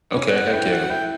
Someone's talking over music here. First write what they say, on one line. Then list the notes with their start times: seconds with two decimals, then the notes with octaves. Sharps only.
Okay, heck yeah.
0.16 C#4
0.34 F#5
0.53 E4 G5
0.71 F#4 F#5
0.90 E4 G5